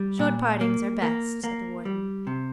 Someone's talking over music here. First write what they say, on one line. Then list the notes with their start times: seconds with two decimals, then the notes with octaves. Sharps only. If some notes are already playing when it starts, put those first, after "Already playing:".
"Short partings are best," said the Warden.
Already playing: G3
0.19 A#2
0.61 A#3
1.02 A#3
1.44 A#3
1.85 G3
2.27 C3